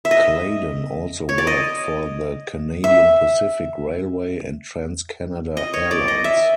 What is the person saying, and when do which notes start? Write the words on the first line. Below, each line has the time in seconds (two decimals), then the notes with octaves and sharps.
Claydon also worked for the Canadian Pacific Railway and Trans-Canada Airlines.
0.05 E5
0.11 D#5
1.29 C#5
1.38 D5
1.47 D#5
2.84 E5
5.57 D#5
5.74 C#5
5.91 D5
6.08 D#5
6.24 E5